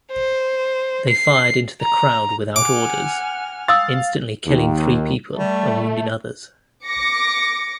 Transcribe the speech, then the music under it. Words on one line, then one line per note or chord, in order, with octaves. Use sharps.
They fired into the crowd, without orders, instantly killing three people and wounding others.
C5
C7
A#5
F#5 G#5 D6 F6
F5 C6 D#6 E6 A6
D#2
G3 A3
D6 A#6 C#7